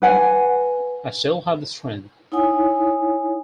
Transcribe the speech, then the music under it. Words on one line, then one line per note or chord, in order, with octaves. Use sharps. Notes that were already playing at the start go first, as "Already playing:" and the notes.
I still had the strength.
B4 F#5 G#5
D#4 E4 C#5 F#5 G#5 D#6